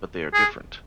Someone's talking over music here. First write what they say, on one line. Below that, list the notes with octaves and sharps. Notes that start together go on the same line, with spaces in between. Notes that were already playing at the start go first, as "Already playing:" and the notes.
But they are different.
G#4